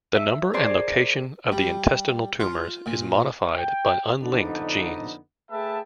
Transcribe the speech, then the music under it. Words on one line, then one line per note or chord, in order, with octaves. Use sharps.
The number and location of the intestinal tumors is modified by unlinked genes.
E5
G#4 A#4 C5 D5
G3
F4
A#2
G5
F2 D3 B3 D4 D#4
A3 G#4 B4 E5 G5 A5